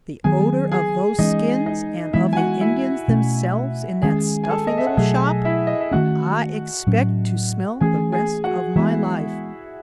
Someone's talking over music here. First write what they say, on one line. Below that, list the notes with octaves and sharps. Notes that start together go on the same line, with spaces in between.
The odor of those skins, and of the Indians themselves, in that stuffy little shop, I expect to smell the rest of my life!
D#3 F#3 B3 G#4 G#5
G#4 G#5
E3 G#3 C#4 D#4 D#5
D#4 D#5
E3 G#3 B3 E4 E5
G#5
F#4 F#5
E4 E5
B2 A3 C#4
D#3 G#3 C#4 G#4 G#5
G#5
A4 A5
D#5
E5
F#5
B2 F#3 A3 G#4 G#5
E4 E5
D#5
E5
D#3 A3 C#4 F#4 F#5
A2 F#3 C#4
E3 A3 C#4 G#4 G#5
G#4 G#5
F#4 F#5
E3 G#3 B3 E4 E5